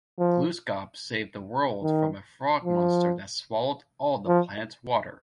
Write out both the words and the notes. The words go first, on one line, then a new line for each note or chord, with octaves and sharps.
Gluskab saved the world from a frog monster that swallowed all the planet's water.
F3
D#3
F3
F3